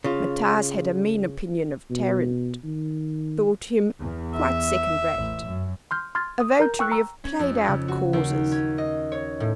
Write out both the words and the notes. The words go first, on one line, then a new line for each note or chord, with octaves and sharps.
Matthias had a mean opinion of Tarrant, thought him quite second-rate, a votary of played-out causes.
C#3 F4
B2
D#3
E2
E5
A1
F#2
C6 F6 G6
C6 F6 G#6 A6
D#6
A#4 A#5 G6
G5 C#6 E6 F#6
A#5 E6
C#4
F2
C#3
F#4
D#2
C#4
D#5
C#5
A2